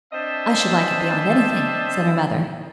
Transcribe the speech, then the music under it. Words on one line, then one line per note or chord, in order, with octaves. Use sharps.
"I should like it beyond anything!" said her mother.
C4 D4 C5 D#5 E5 A5